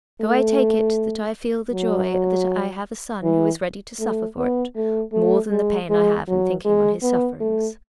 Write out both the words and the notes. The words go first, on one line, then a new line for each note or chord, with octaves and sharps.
So I take it that I feel the joy that I have a son who is ready to suffer for it, more than the pain I have in thinking on his sufferings.
A3
F#3
E3
A3
B3
A3
A3
G#3
G#3
F#3
G#3
B3
A3